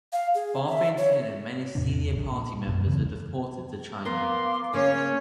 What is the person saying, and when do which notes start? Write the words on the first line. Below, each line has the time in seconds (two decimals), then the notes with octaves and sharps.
Ba Thein Tin and many senior party members were deported to China.
0.12 F5
0.34 G#4
0.68 E5
0.98 C#5
1.75 E2 A2 C3 D4
2.12 D1 A#1
2.32 A#2
2.67 B1 F#2 B2 A#3
2.86 E1 C#3 E3 C4
4.05 B3 A#4 F5 C6 D6
4.73 C#3 A#3 C#4 C#5